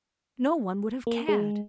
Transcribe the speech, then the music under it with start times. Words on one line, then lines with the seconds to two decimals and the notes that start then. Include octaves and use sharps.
No one would have cared.
1.07 A#3
1.28 G#3